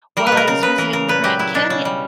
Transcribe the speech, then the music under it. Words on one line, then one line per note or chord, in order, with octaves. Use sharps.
while I was visiting the Grand Canyon.
G3 A#4
B4
B2
A#4
C#3 A#4
C#3 B4
E3 A#4
C#3 A#4
A#2 B4
F#3 G4
F#3 E4
B2 D4
C#3 C#4
G3